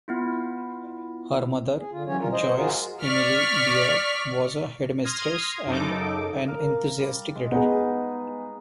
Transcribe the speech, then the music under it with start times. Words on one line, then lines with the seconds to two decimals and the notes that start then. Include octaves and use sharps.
Her mother, Joyce Emily Beard, was a headmistress and an enthusiastic reader.
0.08 B3 E4 F4
1.78 G#4
1.92 D3 F4
2.07 E3 F#3 C#4 C#5
2.20 G3 F4 A#4
2.32 C5 D#5
2.57 F4 F#4 G#4 A#4
3.01 D5 C#6 F6 B6
5.04 C6 D#6 F6 G#6 A#6
5.66 F#2 C#3 D#4 A4 D6
6.48 A#4 F5
6.98 G3
7.35 G#3
7.51 B3 D#4 G#4